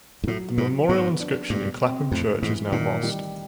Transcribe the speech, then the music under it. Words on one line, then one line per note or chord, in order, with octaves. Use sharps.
The memorial inscription in Clapham church is now lost.
G#2
A2 F#3
G#2 F#3
G#2 B3
D4
G2 B2
C4
F2 A2
G#2 E3
A#2 D#3
G3